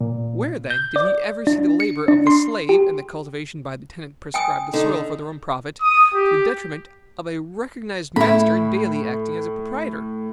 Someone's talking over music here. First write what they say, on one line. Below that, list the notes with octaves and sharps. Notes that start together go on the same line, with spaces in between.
Where, then, did he ever see the labor of the slave and the cultivation by the tenant prescribe the soil for their own profit, to the detriment of a recognized master daily acting as a proprietor?
A#2
G6
D5
D4
C#7
D4
C6
G4
G5 G#5 D#6
D3 D#4
D#6
G4
A2 E4 B5